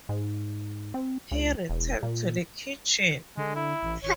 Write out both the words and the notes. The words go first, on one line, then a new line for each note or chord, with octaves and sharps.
He returned to the kitchen.
G#2
C4
C#2
E1
A#2
D3 G#3
E4
A1
G#1 C#5